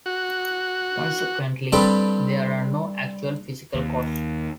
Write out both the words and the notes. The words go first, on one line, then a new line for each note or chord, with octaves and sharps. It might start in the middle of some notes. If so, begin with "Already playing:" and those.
Consequently there are no actual physical cost.
F#4
G2 G3 C4 A4 B4 G5
D#2